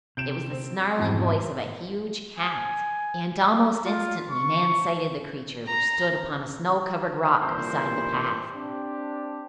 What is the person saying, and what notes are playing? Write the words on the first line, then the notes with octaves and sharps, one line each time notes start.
It was the snarling voice of a huge cat and almost instantly Nan sighted the creature which stood upon a snow-covered rock beside the path.
C3 G6 D7 E7
C4
B1 F2 G#2 B2 E3
G#5
F4
C#6
A#5
G2 A#2 E3 G3 E4 C5
C4 D4 G4